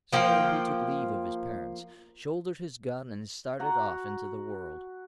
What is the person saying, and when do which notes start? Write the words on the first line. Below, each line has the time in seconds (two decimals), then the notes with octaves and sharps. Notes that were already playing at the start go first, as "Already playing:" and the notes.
So he took leave of his parents, shouldered his gun, and started off into the world.
0.13 F3 A#3 G5
3.59 F#4 F#5 A#5